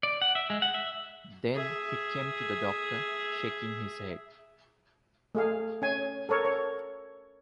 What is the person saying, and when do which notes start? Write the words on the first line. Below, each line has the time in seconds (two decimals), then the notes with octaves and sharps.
Then he came to the Doctor, shaking his head.
0.03 D5
0.22 F#5
0.35 E5
0.50 G#3
0.62 F#5
0.74 E5
1.54 G#4 E5
5.35 A3 G#4 F5
5.82 C#4 G#5
6.29 A4 A#4 C#5
6.45 C#5